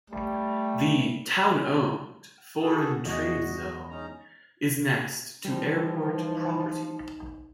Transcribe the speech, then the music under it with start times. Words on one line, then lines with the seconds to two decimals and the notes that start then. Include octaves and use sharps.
The Town-owned Foreign Trade Zone is next to airport property.
0.10 G3 A3
2.61 F#4 G#4 A4
3.05 E2 G#3 F#4 D#5
3.90 C#4 D#4 A#5
5.45 E3 F3 G3 D#4 G4